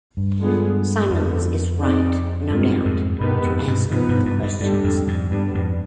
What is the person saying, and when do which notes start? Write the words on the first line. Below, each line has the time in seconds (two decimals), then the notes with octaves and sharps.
Symonds is right, no doubt, to ask the questions.
0.17 G2
0.40 D3 G#3 B3 F4 G#4
1.10 F2 D3 F3 B3
1.80 C4 D#4 G#4 D5
2.50 G2 D#3 G#3 C4 F4
2.85 F2 G#2
3.20 G2 B2 D#3 B3 D#4 G4 B4
3.43 F2 G#2
3.67 G2 B2
3.91 G#2 C3 F3 B3 D#4 B4
4.09 G2 B2
4.26 G2
4.43 G2
4.60 G2 D3 G3 D4 G4
4.73 G2
4.84 F2 G#2
5.07 F2 G#2
5.31 G2 G3 B3 D4
5.54 F2 G#2